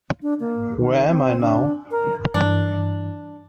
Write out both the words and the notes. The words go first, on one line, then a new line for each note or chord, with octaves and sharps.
Where am I now?
D4
A#3
D#3
C4
D4
A#4
G2 E3 D4